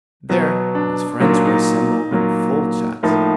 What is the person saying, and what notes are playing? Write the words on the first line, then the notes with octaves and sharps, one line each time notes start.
There his friends were assembled in full chat.
B2 F#3 B3
D4
A#2 F#3 A#3 D#4
D4
D#4
A#2 F#3 A#3
A2 F3 A#3 D#4